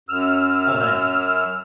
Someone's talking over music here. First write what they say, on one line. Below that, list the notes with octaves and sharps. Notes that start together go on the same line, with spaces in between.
Oh, nice.
F#2 E6 F6